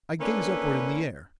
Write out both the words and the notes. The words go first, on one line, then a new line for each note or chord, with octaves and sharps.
I gaze upward in the air.
A#3 C#4 D4 E4 A4 B4